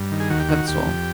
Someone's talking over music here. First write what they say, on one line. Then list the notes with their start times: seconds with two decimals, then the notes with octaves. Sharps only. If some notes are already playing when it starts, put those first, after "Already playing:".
That's all.'
Already playing: G2
0.11 D#3
0.20 G#4
0.30 D#2 F#4
0.40 G4
0.49 D#3 F#4
0.68 D#2 G4
0.87 F2